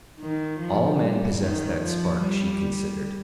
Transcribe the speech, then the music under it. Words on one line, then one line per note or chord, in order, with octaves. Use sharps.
All men possessed that spark, she considered....
D#3
F3
G3
D#3
F3
G3